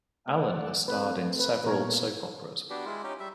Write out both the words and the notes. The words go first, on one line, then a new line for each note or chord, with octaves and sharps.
Allan has starred in several soap operas.
A3 D5 F#5
A3 C4 B4
B4
A#2 A#3 B3 A#4 C#5
B3 D4 F#4 G4
G#3 E4 F4
C#4 D#4 G4
G3 E5